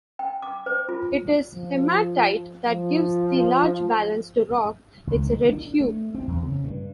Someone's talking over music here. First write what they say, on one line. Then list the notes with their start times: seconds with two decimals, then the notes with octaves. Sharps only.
It is hematite that gives the large balanced rock its red hue.
0.19 G5
0.42 D6
0.66 C5
0.89 F4
1.55 F3
2.65 F3
5.07 C#2
5.23 D#3
5.49 D4
5.80 A3
6.15 C4
6.28 E2
6.43 C#3
6.64 G2